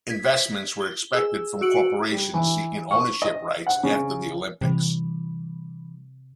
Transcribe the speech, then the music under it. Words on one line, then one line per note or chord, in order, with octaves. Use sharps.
Investments were expected from corporations seeking ownership rights after the Olympics.
G#6 B6
G7
G#4 E6
F#4 E6 C#7 D7 F#7
G3
E3
C#6
D#5
F#5
C#3
C3 E3 G3